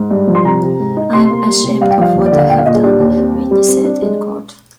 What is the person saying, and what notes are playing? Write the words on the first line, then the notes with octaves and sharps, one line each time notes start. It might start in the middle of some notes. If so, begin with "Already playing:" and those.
"I'm ashamed of what I have done", Wheatley said in court.
Already playing: G#2
G2
F3
C6
C3 A#5
C3
G#2
D#4
C3 C6
A#3
G3
C3
G2 F5
G5
F3 F5
D#2
D5
D3
F5
A#2 G5
F5
A#2 D#5
G#4
D4 G4
D#2
C4
C4
G3
C4
D4
G#3